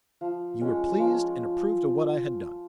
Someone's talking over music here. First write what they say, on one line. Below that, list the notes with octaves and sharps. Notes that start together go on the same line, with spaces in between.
You were pleased and approved of what I had done.
F3
G#3 C#4
F3